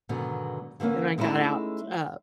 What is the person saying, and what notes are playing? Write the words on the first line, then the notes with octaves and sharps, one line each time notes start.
Then I got out, uh,
G#2 B2 D3 D#3 F#3
D3 E3 G3 A#3 C#4
G#3 A3 C#4 D#4 E4